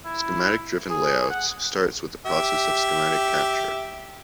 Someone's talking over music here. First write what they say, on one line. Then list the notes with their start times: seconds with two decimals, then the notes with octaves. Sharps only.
Schematic-driven layout starts with the process of schematic capture.
0.05 E4
0.90 G#4
1.30 F#5
2.26 G4 E5